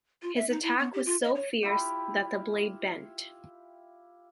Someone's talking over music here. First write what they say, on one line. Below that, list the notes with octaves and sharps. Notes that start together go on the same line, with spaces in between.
His attack was so fierce that the blade bent.
F4
E5
D#4
E4
B3
G4
F4
D#5
C#5
E4 F4 G4